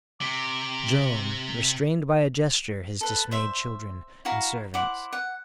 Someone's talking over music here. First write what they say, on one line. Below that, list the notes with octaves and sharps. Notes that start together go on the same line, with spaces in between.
Joam restrained by a gesture his dismayed children and servants.
C3 D6
A4 B4
C5 E5
E4 F#4 F5 A#5
E4 C5 F#5 D6
F#5